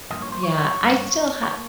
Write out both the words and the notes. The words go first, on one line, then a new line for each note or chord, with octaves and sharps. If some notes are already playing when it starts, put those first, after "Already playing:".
Yeah. I still ha
G2 F3 A#3 D#5
C#5
C5
C#5
G2 G3 A#3
C#5
A#3